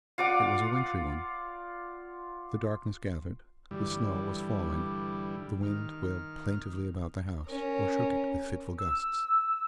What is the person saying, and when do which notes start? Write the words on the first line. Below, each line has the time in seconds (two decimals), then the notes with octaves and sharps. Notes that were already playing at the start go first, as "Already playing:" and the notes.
It was a wintry one. The darkness gathered, the snow was falling, the wind wailed plaintively about the house or shook it with fitful gusts.
0.18 F4 D5 F#5 D6
3.71 G2 D3 E3 G3
5.63 D#3 F6
7.45 C#4 A#4
8.78 E6